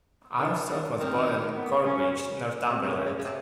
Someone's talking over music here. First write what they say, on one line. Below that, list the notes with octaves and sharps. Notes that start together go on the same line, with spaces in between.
Armstrong was born in Corbridge, Northumberland.
D#3
E3 D4
D#3 D4
D#3 C4
B3
C#4
C3 C4
C3
C#3
C#4
C#3
C#3
C3